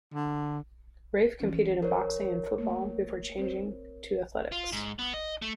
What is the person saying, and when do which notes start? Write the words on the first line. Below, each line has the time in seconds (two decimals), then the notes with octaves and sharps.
Reiff competed in boxing and football before changing to athletics.
0.14 D3
1.40 E3 C#4
1.83 A#4 C5 C#5
2.58 A3 A#3
3.38 C4 C5
4.52 F4
4.72 G#2
4.99 B3
5.14 D#5
5.42 A3